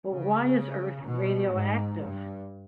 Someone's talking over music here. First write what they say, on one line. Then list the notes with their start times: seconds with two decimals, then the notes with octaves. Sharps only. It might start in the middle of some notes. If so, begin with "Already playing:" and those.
But why is Earth radioactive?
0.13 C#3
1.06 B2
1.52 G#2
1.98 G2